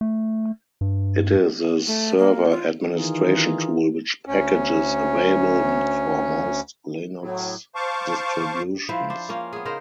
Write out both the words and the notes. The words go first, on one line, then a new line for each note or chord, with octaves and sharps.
It is a server administration tool, with packages available for most Linux distributions.
A3
G2
A3
A#3
F4
D#3 E3 D#4 F4 G#4 A#4
D2 C#4
A2 F#3
C5 F5 A5 C#6 D6
F3 E4 B4 C5
D4 C5
A#3 C#4 F4
B3 G#4
C#3 D#4 A#4 C5